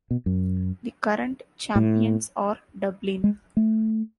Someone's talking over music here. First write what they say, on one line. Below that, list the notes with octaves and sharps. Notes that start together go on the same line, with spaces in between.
The current champions are Dublin.
B2
F#2
A2
G#3
A3